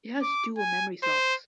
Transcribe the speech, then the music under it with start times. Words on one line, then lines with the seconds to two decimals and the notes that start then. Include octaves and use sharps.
It has dual memory slots.
0.22 D6
0.58 G#5
1.03 C5